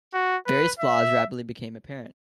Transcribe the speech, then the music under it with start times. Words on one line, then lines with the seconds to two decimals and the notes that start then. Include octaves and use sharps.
Various flaws rapidly became apparent.
0.14 F#4
0.47 B4
0.79 E5